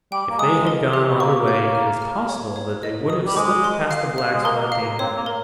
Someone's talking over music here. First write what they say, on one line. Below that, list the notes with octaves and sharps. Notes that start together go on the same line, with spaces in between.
If they had gone on their way it is possible that they would have slipped past the Blacks without danger.
G3 G5
A#3
G#3 D#6
A#4
G4
C4
A#3 C#6
G6
F6
F6
C#5
C#5
D#5
D#6
G3
G#3 C5
C6
F5
F5
G#3
A#3 A#4
A#3
F5
A#3
C4 C#5
A#3
A#4